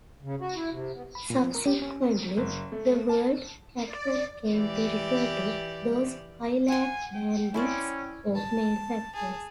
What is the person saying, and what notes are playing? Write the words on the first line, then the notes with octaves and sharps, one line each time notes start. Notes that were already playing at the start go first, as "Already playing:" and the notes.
Subsequently, the word 'cateran' came to refer to those Highland bandits or malefactors.
C#3
F#4
E4
C3
B3
B5
A#2
F3
A#4
G4
C#4
F#1
A3
A5
D5
E3 G4 D5
F#5 G#5 C6
G5
C#4 E4 C5 D5
A5
G#4 A5